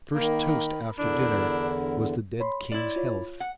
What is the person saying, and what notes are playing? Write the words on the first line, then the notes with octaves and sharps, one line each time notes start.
The first toast after dinner was the dead king's health.
D#3 A#3 A#4 B5
E2 D3 D4 E4 A#4
C#5 B5 C6
E4 D5
F4 C#5
F#5